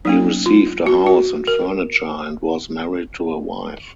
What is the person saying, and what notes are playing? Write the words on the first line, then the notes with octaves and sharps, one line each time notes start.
He received a house and furniture and was married to a wife.
F#3 A#3 C#4 D#4
F4
F#4
F#4
A#4